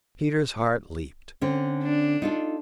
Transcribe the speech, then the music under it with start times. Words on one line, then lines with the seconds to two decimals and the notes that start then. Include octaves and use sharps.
Peter's heart leaped.
1.41 D3 C4 C#4
1.83 D4
2.22 D#4 F4 A4